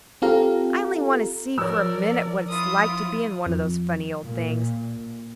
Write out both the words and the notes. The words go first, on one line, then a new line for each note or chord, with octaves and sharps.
I only want to see for a minute what it's like to be in one of those funny old things.
C4 F4 G4 A4 F5 A#5
F3 A#4 C#5 D5 E6
E4 F4 D#6
F2
A#2